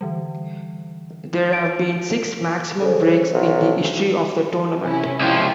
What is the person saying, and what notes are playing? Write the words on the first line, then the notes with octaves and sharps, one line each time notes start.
There have been six maximum breaks in the history of the tournament.
D3 E3 G3
D7
C#3 A4 C5
B1
C3 C#4 E4
C#2 F3 E4 G4